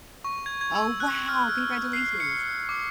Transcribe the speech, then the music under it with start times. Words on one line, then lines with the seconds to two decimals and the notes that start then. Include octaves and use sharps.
Oh, wow! Congratulations.
0.24 C#6
0.46 G#6
0.61 G#6
0.75 E6
1.00 F#6
1.29 F6
1.49 F6
1.93 C7
2.20 C#7
2.69 D6